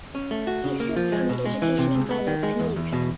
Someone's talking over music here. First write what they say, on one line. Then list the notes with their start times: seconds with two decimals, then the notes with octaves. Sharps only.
He sits on the Education and Finance committees.
0.15 C#4
0.31 A3
0.47 F#4
0.64 C#3
0.80 A#3
0.96 F3
1.12 G#3
1.29 B2
1.45 G#3
1.62 E3
1.78 C3
1.94 C#2
2.11 B3
2.27 D#3
2.43 G#3
2.59 E2
2.76 E2
2.93 B2